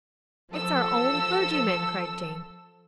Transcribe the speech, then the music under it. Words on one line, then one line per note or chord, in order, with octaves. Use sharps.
'It's our own clergyman,' cried Jane.
F3 A4 E6